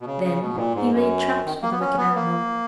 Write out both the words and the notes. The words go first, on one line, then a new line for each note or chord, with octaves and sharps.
Then he laid traps for the wicked animal.
B2
C#3
C#3
B2
G#2
A#2
G#2
F#2
D#3
A#3
B3
C#4
B3
A#3